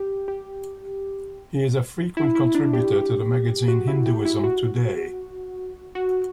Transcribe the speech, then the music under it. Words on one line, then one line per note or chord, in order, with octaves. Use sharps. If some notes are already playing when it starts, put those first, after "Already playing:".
He is a frequent contributor to the magazine "Hinduism Today".
Already playing: G4
G4
E4
E4
D4
G4
G4
F#4
E4
G4
E4
F#4
F#4